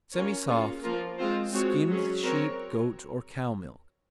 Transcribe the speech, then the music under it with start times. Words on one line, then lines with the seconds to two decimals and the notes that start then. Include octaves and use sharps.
Semisoft; skimmed sheep, goat or cow milk.
0.13 C#4 F4 A#4 C#5
0.48 A#3 C#4 F4 G#4
0.83 F3 A#3 F4 A#4
1.18 G#3 C4 F4 C5
1.52 G#3 C4 F#4 C#5
1.87 F#3 C#4 G#4
2.22 C4 F#4 A#4 C#5